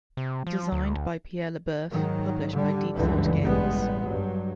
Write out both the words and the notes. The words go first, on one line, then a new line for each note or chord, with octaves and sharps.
Designed by Pierre LeBoeuf, published by Deep Thought Games.
C3
F3
D2
G#2 D#3 F#3
D3 G3
F#1 C#2 G2 D3 E3
A1 G3 G#3 B3
G2 F#3